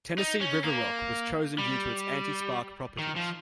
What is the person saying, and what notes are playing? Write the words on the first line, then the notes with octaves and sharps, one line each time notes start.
Tennessee river rock was chosen due to its anti spark properties.
D#4
C#4
A#3
G3
D#3
F3